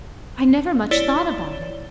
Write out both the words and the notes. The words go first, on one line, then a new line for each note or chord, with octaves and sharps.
I never much thought about it.
E4 C#5 D5 A6 E7 G7